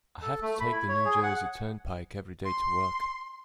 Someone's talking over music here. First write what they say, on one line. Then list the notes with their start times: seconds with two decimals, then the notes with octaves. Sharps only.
I have to take the New Jersey Turnpike every day to work.
0.22 A4
0.42 A3
0.60 B5
0.72 E4
0.88 C#5
1.05 G#4
1.23 F#5
2.45 C6